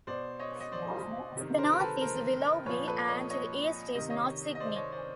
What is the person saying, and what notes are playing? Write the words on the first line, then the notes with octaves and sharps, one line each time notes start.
To the north is the Willoughby and to the east is North Sydney.
B2 C5 D5
C#5 D#5
D#5
C5 D5
C3 D#3
A#4 C5
A#4
A4 B4
A#4 C5
A#2 F3 B4 C#5
A4 B4
C#5 D#5
C#5 D#5
C3 D#3 D#5
C#5 D#5
D#5
C5 D5
C#5 D#5
C5 D5